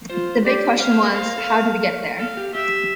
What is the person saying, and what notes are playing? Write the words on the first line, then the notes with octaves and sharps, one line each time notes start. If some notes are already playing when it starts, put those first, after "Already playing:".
The big question was: how do we get there?
F4 C5
G4 D5
C5 F5
C5
A#4
C5 F5
A#4
A4
A#4
A4 F5
G4
G4 E5